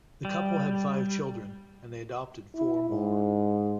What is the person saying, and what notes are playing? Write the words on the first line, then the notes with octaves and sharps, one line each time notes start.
The couple had five children, and adopted four more.
G3
E4
G#2